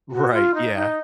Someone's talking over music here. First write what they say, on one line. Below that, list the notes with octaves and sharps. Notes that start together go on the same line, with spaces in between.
Right, yeah,
F#4
F4
D#4
D#4